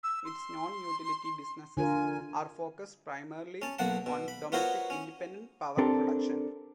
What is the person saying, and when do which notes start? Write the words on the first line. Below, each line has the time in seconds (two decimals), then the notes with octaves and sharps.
Its non-utility businesses are focused primarily on domestic independent power production.
0.03 E6
0.25 C6
1.77 D3 F4 A#4 G#5
3.62 C#4 A5
3.79 B1 A#3 F#5 A5
4.06 B2
4.28 B5
4.52 B3 F4 F#4 A#4 C5 C#5
4.90 C#4
5.78 C4 D4 G4 A4 A#4